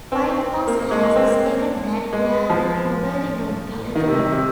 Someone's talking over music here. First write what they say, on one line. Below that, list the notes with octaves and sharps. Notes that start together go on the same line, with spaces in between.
Whitehouse has stated that there will probably not be a third.
C4
C4
A#3
A#3
G#3
G#3
C4
A#3
G#3
F3
D#3
C3
C3
C3